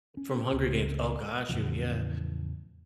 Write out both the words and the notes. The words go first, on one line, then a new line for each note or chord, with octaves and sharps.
from Hunger Games oh, got you, yeah.
C#4
C#2
E2 A2 C#3 F3